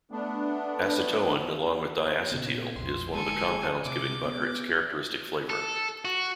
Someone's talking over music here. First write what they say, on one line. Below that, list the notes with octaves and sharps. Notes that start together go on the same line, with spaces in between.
Acetoin, along with diacetyl, is one of the compounds giving butter its characteristic flavor.
A3 B3 D4
A#2 C#3 B3 G#6
B1 F2 C6
D1 G#3 A4 G#5
G#4
C3 D6
B3
A4
F#4